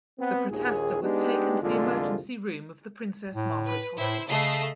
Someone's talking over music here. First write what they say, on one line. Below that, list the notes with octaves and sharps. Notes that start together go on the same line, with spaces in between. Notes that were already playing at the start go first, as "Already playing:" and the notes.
The protester was taken to the emergency room of the Princess Margaret Hospital.
B3 C4
A#1 D#2 G#4
G#3 B3 D4 D#4 G4
C2 F2 A#2 D3 G#3 F4
A2
B4
A2 E4 C5
C#3 A3 D#5 C7